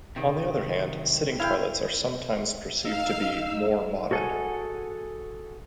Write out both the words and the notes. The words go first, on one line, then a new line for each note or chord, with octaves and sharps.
On the other hand, sitting toilets are sometimes perceived to be "more modern".
C3 D#3
E4 F5 G5
D#4 F5 E6
F#4 G#4 A4 F5 F#5 G#5